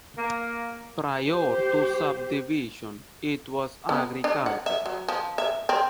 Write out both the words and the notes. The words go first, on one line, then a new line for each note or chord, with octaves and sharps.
Prior to subdivision, it was agricultural.
A#3
G4 C5
B3
D4
F#5
E5
F#3
F3
E5
C4